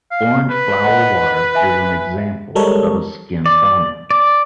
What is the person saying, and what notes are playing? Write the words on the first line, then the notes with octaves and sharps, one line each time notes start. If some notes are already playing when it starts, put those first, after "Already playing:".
Orange flower water is an example of a skin tonic.
F5
B4
D#5 F#5 F#6
E5 G#5
G3 G#3 A4 A#4 C#5
D5
D5